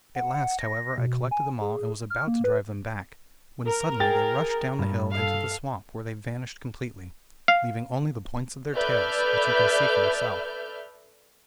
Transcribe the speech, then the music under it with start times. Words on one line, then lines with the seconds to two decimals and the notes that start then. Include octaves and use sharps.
At last, however, I collected them all and was about to drive them back, when suddenly they rushed down the hill into the swamp, where they vanished completely, leaving only the points of their tails, which you can see for yourself.'
0.15 F#5
0.34 F#5
0.59 A#6
0.98 B2
1.31 G#5
1.61 G#4
2.10 F6
2.27 A#3
2.44 B4
3.68 A#4
4.00 G#4 G5 A6
4.79 G2
5.13 A4 F5
7.48 F5
8.76 A4 B4 D5 E5 F6 G6